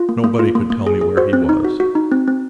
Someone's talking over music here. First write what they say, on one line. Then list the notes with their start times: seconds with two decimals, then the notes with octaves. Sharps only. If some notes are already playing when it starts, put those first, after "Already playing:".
Nobody could tell me where he was.
Already playing: F4
0.09 A#3
0.24 A#3
0.39 F4
0.55 A#3
0.70 A#3
0.87 G#4
1.01 G#4
1.17 F#4 C5
1.33 C4
1.49 D#4
1.65 F#4
1.80 F#4
1.95 D#4
2.12 C4
2.28 C4